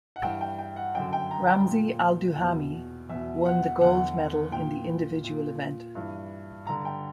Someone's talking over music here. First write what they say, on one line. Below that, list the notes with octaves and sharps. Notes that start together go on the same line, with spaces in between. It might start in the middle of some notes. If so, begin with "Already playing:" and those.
Ramzy Al Duhami won the gold medal in the individual event.
F#5
G2 E3 G5
G5
G5
F#5
F#2 D3 G5
G5
A#5
G5
A#2
E2 B2
E2 B2 E5
F#5
E2 D3 F#5
A#2 G5
A#2
G2 E3
G2 D3 A#5
G5